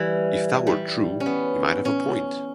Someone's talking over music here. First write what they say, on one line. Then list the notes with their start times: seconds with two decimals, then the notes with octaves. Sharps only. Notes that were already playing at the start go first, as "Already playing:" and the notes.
If that were true, he might have a point.
Already playing: E3 G3
0.67 G3
1.20 C#4
1.26 B3
1.85 C#4